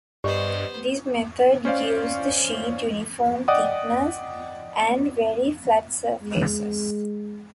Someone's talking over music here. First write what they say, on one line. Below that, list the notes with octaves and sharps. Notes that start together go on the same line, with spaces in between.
This method gives the sheet uniform thickness and very flat surfaces.
G2 B3 G4 C5 D5 D#5
C#4 C5 D5 F5
D5 D#5 F#5 G5 D6 D#6
G#3